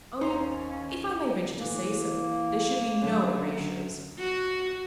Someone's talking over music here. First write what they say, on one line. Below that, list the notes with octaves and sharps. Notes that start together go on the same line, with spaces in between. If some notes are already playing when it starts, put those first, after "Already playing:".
Only, if I may venture to say so, there should be no erasures.'
D#2 C#4 D#4 C5 A#5
E3 A3 A#3
F#2 D3 F#3
F#4